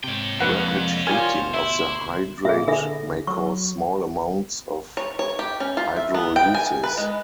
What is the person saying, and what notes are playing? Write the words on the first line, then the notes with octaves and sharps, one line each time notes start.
Rapid heating of the hydrate may cause small amounts of hydrolysis.
G#2 C3 C#5 G5
C2 F2 G#3 A#3 B4 F#5
F4 G4 A#4 C5 D5 G#5 C6
D2 B2
E4 E5
A#2 G#4 E5
D3 D4 A4 E5
F#3 C#6
C#5
C#5
G4
C#4
F4
E5
B3
G5
G#5
B4
G#3